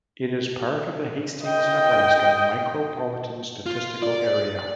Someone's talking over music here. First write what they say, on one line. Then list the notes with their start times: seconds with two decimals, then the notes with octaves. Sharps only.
It is part of the Hastings, Nebraska Micropolitan Statistical Area.
1.45 D#5 G5
3.66 F4
4.03 D5